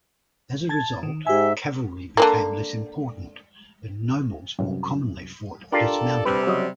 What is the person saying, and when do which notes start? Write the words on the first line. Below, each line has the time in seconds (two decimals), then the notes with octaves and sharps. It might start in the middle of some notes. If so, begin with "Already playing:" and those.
As a result, cavalry became less important and nobles more commonly fought dismounted.
0.69 A5 G#6 A6
1.03 D#3
1.26 G#2 G4 E5 G#5
2.17 D3 F#3 A#3
4.59 C2 F#2
5.72 D4 F4 G4 A4 A#4 D5 A5
6.25 C3 G3 B4
6.47 C#3 F#3 D#5